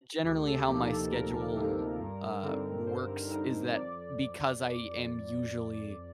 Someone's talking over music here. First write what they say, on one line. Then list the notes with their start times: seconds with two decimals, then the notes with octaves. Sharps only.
generally how my schedule, uh, works is that because I am usually,
0.24 D2 G4
0.46 A4
0.67 C3 F3 A#3 D#4 G4
0.90 A4
1.11 D2 A#4
1.56 C3 F3 A#3 D#4
2.00 G2
2.42 D3 G3 C4 D#4
2.87 G2 C5
3.30 D3 G3 C4 D#4 A#4
3.74 F2 D5